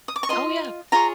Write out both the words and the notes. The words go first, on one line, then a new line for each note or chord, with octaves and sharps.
Oh, yeah.
D#6
D6
C#6
F4 A#4 D#5 C6
F4 G#4 C#5 A#5